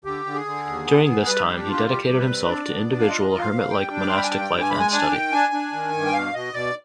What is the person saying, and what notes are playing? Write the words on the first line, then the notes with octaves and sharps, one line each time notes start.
During this time he dedicated himself to individual hermit-like monastic life and study.
D3 G4
D3
G#4
D3
D#2
B3
B3
G3 B4
D4 G4
G4
F4
G4
G3 G4
G3
B4
C4
D4 D5
B3
D4
F5
F4 D#5
F4
F5
C4
G3 G5
D4
D6
G3 C6
B5
G#5
G2 G5
G2
G#5
G#3 B5
G#5
D4 G#5
D#3 G5
D4 G#5
D4
D#3
G2
G5
B2 F5
B2 D#5
B2 D5